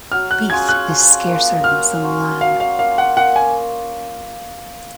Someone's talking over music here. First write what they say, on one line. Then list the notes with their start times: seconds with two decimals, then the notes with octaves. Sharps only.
Beef is scarcer than some lamb.
0.12 F#3 F6
0.31 F#6
0.50 C#4 F4 G#4 G#6
0.69 F#6
0.88 F3
1.27 A#3 F4
1.64 F#3 F6
2.02 C#4 F#4 C5
2.41 F#3 F5
2.60 F5
2.79 A#3 F4 F5
2.98 F#5
3.17 A#2 F#5
3.36 G#5